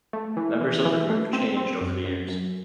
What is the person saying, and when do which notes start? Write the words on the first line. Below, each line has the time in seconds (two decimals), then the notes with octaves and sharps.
Members of the group changed over the years.
0.13 A3
0.37 E3
0.61 E3
0.85 E3
1.10 A3
1.33 C4
1.57 C4
1.81 F#2
2.05 F#2
2.29 F#2